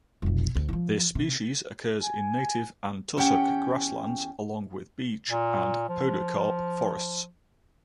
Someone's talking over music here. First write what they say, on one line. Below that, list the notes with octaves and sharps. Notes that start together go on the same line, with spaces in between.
This species occurs in native and tussock grasslands along with beech and podocarp forests.
F1 B1
D2
D#3 F3
C3
G#5
E2 C#4 G4 F#5 G5
A#2
F3